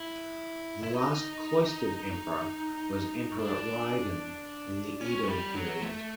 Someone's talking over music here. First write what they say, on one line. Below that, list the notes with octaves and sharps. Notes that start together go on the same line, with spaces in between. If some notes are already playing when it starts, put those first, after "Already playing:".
The last cloistered emperor was Emperor Reigen, in the Edo period.
Already playing: E4
E4
D#4
D4
C#4
G3
F#3
A3